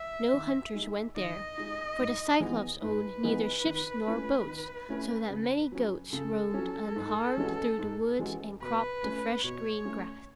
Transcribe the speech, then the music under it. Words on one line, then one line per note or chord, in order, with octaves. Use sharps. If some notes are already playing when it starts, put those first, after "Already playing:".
No hunters went there, for the Cyclopes owned neither ships nor boats, so that many goats roamed unharmed through the woods and cropped the fresh green grass.
Already playing: E5
D#3
G#3 D#4
D#3 D#5
G#3 D#4
G#2
E3 G#3 B3 D#4
G#2 B4
E3 G#3 B3 D#4
D#3
A3 C#4 E4
D#3
A3 C#4 E4
C#3
F#3 C#4
C#3 A4
F#3 C#4
G#2
E3 G#3 C#4 F#4
G#2
E3 G#3 C#4 F#4
B2 B4
A3 C#4
B2 C#5
A3 C#4